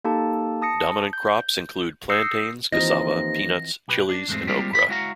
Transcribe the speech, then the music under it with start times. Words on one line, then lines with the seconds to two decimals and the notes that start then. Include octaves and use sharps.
Dominant crops include plantains, cassava, peanuts, chillis, and okra.
0.04 A#3 D#4 G4 A4 A5
0.62 A5 D#6 A#6 C#7
1.13 G6
2.10 D#6 E6 G6 A#6 C7 C#7
2.72 D#2 E3 F3 C4 D#5 A#5 A#6
3.88 B1 G4 B4
4.09 D4
4.28 E2 G#2 G#3 A3 C4
4.47 G3 G#3 A#3 C4 F4 G4
4.72 F2 E4 B5
4.88 G#3 E4 F#4 C#5 F5 A#5